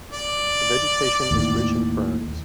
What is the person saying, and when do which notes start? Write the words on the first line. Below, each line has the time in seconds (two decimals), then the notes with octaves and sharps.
The vegetation is rich in ferns.
0.12 D5
1.31 D#2 A2